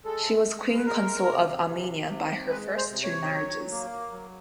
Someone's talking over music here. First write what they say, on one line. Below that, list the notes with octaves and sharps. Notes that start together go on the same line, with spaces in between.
She was Queen consort of Armenia by her first two marriages.
G#3 A4
G#3
B4
G#3 A#4
C3
C3
C3
G#3 B4
C5
C3
C#5
F#3
A#3
F#3